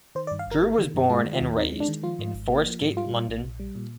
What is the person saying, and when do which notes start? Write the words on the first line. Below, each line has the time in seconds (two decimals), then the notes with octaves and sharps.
Drew was born and raised in Forest Gate, London.
0.15 D#3 C5
0.27 D5
0.31 G2
0.39 F5
0.47 G1 A#4
0.62 A#3
0.78 D#3
0.94 G2
1.10 G#3 F4
1.25 D#3
1.33 F4
1.41 D#2
1.56 C4 D#4
1.72 G#3
1.80 D4
1.88 D#3
2.03 F3 F4
2.19 G#2
2.34 G#1
2.50 A#3
2.66 F3
2.81 G#2
2.97 G3 F4
3.13 A#2
3.28 A#1
3.44 A#1
3.60 G3
3.75 A#2